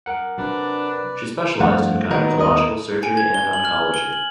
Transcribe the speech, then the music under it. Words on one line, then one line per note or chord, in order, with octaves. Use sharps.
She specialised in gynaecological surgery and oncology.
A#4 F#5
C3 F#3 D4 B4 D5
G2 F3 A3 F5 F#5
D#3 F#3 B3 D#4 A#4
D#2 B3 A#4 D#5
G#5
G#6
G7
F#7
F6
G7
F#7